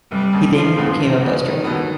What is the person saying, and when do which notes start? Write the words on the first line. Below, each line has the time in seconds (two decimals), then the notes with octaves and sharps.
He then became a bus driver.
0.11 F1 G3
0.33 D#2 C#3
0.54 E1 F3
0.77 E2 C#3
0.99 E1
1.21 E2 C#3
1.42 F1 D#3
1.64 D#2 D3 F#3 B3